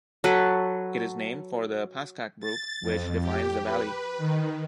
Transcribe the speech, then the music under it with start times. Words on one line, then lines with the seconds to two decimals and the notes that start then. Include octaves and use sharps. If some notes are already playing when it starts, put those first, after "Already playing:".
It is named for the Pascack Brook, which defines the valley.
0.24 F#3 A4 B4
2.40 A6
2.83 F2
3.22 G4
3.63 B4
4.18 D#3